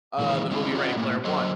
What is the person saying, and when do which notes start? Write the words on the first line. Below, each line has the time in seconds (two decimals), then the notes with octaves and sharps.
Uh, the movie, Ready Player One.
0.19 A#2 D#3 E3 G#3
0.51 C#3 G#3 C4 D4 E4 G4
0.74 C#4 F4 F#4 A4 D5 D#5
0.96 A2 A#3
1.25 D3 F#3 C5 D#5